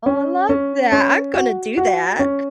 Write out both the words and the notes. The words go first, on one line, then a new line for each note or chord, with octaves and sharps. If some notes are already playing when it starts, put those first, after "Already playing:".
I love that. I'm gonna do that.
C#4
C#4
C#4
F#4
F#4
C#4